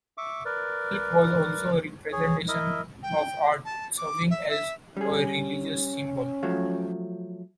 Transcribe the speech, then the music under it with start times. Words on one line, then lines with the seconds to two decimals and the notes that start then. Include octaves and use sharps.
Silk was also a representation of art, serving as a religious symbol.
0.18 E5 C#6 D6
0.45 A#4 B4 D5
2.12 G#4 C#5
2.48 E4 A#4 D#5 E5
3.03 G5
3.65 A5
3.98 D6
4.31 E5
4.49 E5
4.97 G3 C#4 G#4
6.43 F3 F#3 A3